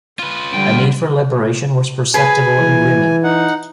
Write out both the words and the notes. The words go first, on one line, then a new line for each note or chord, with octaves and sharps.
A need for liberation was perceptible in women.
F4 B4
D3 G3 G5
G#4 B4 G#5
E3
D#4 F#5